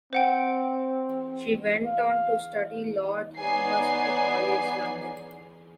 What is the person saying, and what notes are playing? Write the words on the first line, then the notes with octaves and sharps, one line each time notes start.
She went on to study law at University College London.
C4 C5 F#5 G5
F5
B3 D#4 C#5 D5 G#5 C7